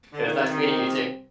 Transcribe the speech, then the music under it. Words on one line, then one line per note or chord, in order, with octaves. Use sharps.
It was nice meeting you too.
D3
C3 D#3 G3 C4
D#3